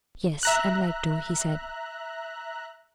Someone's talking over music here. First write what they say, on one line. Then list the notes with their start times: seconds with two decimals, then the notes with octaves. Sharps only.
"Yes, I'd like to," he said.
0.43 E5 A#5 F#6